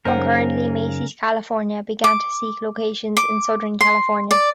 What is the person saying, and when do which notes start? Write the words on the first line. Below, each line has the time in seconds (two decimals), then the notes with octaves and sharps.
Concurrently, Macy's California began to seek locations in Southern California.
0.05 F#2 C#3 A#3 D#4 A#4 C5 F#5 G5
2.04 D6
3.17 D6
3.81 C6
4.31 D5